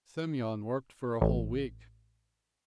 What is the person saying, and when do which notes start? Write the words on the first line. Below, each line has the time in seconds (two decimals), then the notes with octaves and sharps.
Semyon worked for a whole week.
1.21 A1